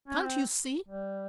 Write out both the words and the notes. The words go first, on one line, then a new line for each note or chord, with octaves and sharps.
"Can't you see?"
C#4
C4
G3